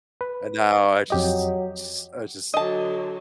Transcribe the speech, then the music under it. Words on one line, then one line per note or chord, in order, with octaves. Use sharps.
and now I just just I just
B4
F2 F#3 G4 D#5
D3 F#3 D#5 A5